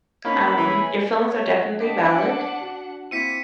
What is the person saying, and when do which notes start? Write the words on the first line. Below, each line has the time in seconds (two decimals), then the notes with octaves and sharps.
Um, your feelings are definitely valid.
0.25 A#3 C4 C#4 D#4 A5 B5
0.57 E3 G#4 C#5
1.29 C#5
1.80 D4 D#5 F#5 G5 D6 B6
2.61 F#4
3.11 A#3 C4 E4 B6 C#7 D#7